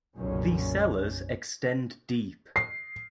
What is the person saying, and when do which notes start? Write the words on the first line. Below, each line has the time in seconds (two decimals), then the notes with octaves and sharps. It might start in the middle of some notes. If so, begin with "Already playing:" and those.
The cellars extend deep.
0.17 F#1 B1 F#2 A#2 D3 C#4
2.56 C7